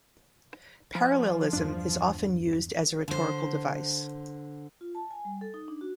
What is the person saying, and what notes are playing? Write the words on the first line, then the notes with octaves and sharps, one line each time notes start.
Parallelism is often used as a rhetorical device.
F3
E2 G2 D4
D3 C5
F4
A5
G#5
G3
A4
D#4
D4
F#4